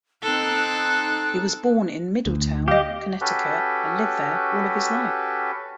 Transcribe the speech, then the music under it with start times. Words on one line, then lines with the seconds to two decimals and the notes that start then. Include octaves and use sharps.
He was born in Middletown, Connecticut and lived there all his life.
0.23 C4 D#4 A4 F#6
2.26 D2
2.68 G4 D#5 F5
3.21 C#4 F#4 G4 A4 B4